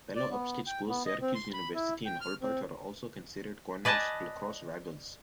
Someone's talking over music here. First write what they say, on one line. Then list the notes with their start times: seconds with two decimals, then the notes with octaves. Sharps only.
Fellow upstate schools Syracuse University and Hobart are also considered Cornell's lacrosse rivals.
0.16 D5
0.31 B3
0.67 G5
0.89 B3
1.06 D#5
1.22 C4
1.35 C6
1.53 B5
1.74 E4
2.05 G5
2.21 F6
2.42 C4
3.85 B4 D5 D#5 G#5 A5